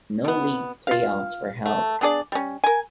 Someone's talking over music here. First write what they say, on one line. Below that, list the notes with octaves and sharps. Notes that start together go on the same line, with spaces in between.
No league playoffs were held.
B2 B3
F4 F5
A3
B3 D4 G#4 D5
G3 C#4
A#4 G#5